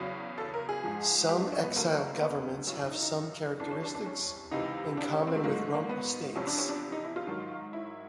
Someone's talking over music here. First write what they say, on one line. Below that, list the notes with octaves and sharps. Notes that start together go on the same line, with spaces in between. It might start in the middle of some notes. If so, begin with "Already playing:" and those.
Some exiled governments have some characteristics in common with rump states.
Already playing: E2 C#3 F#3
A4
A#4
G#4
G#2 F3
G4
D4
C#4
B3
D2 D3 F#3 A#3
A#3
B3
F#2 C#3 E3 C#4
D4
D#4
D#4
C2 C3 E3 D4
C#4
D4
D4
C#4
C#2 C3 E3 D#4
D4
C#4
C4
A3
G#2 D#3 F#3 A#3
A3
A#3
B3
E2 C3 F3 C#4
D4
C#4
D4
D#4
E4
F4
G#2 D#3 F#3
E4